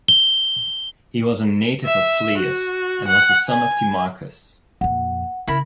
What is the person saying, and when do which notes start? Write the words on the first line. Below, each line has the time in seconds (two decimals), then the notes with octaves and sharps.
He was a native of Phlius, and was the son of Timarchus.
0.08 G7
1.86 E5
2.38 F#4
3.08 F#5
3.48 G#5
4.81 F2 A#2 F#5
5.48 C#3 E4 A#4 B5